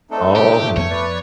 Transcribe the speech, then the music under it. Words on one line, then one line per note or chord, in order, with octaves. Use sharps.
Oh, man.
A3 C4 D4 D#4 A4
G4
A3
F2 G#2 F3 B3 C#5
B4 D5